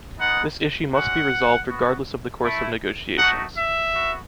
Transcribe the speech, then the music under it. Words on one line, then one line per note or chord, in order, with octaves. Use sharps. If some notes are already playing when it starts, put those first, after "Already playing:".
This issue must be resolved regardless of the course of negotiations.
G#3 B3 D#4 F#5
G#3 C#4 F#4 F#5
B3 F#4
A3 E4
A3 D#4 F#4 F#5
E5
B3 F#4